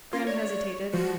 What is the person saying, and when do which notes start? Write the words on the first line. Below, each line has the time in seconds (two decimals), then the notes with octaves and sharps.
Graham hesitated.
0.13 C#4 F4
0.27 C#5 D5
0.93 F3 F#4